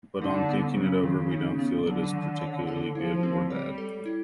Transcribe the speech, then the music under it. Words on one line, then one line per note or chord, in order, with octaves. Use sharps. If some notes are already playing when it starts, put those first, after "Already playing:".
But on thinking it over, we don't feel it is particularly good or bad.
D3 D#4
B3
C#3 F#3
D#3
D#4
B3
D3 F#3
D#3
C#5
A4
F3 E4
C4
G3 C#5
A4
E4